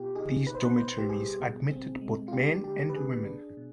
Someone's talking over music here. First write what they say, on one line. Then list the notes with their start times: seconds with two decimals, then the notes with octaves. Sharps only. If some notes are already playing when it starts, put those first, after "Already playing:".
These dormitories admitted both men and women.
Already playing: B2 B3 F4 G4
0.15 D#4 G#4
0.46 B2 B4
0.55 C5
0.61 B4
0.78 B2 C5
0.98 G4
1.09 G3 G#4
1.40 B2
1.71 C4
2.01 G#3
2.28 F4
2.32 D4 G4
2.64 D3 G4
2.89 B4
2.95 D3 G#4
3.26 D4
3.57 B2